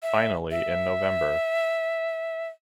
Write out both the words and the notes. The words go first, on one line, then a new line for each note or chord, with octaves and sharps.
Finally in November.
E5
E5